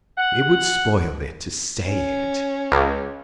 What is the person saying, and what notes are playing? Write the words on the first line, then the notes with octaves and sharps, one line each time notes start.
"It would spoil it to say it."
F#5
C#4
C#2